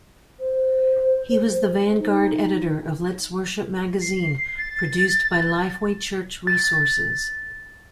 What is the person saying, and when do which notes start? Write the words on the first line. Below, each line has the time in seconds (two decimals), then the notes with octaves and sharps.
He was the vanguard editor of "Let's Worship" magazine produced by Lifeway Church Resources.
0.39 C5
1.98 D#4
4.01 C7
4.58 A6
6.47 A6